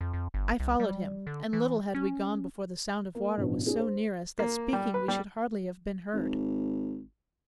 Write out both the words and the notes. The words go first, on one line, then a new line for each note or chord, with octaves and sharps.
I followed him, and little had we gone, Before the sound of water was so near us, That speaking we should hardly have been heard.
F2
F2
G1
C2
G3
D3
E3
C#4
A#3
A1 G2 B2
D4 G#4
C5
A#3
G3
B4
G3
G#1